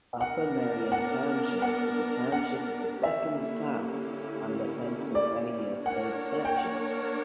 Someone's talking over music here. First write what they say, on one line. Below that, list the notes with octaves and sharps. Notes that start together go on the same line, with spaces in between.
Upper Merion Township is a township of the second class under Pennsylvania state statutes.
B3 D4 A#4 F#5
F#5
F#5
F#5
D3 A#3 C#4 E4 G4 E5
D5
A#3 D4 A#4 C#5 F#5
G5
F#5